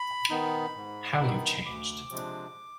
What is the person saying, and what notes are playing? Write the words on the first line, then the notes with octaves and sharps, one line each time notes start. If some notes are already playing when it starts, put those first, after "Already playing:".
How you've changed!
Already playing: B5
D#3 B3 D#4
G#2
D#3 B3 D#4
D2 D6
C3 F3 G#3 D4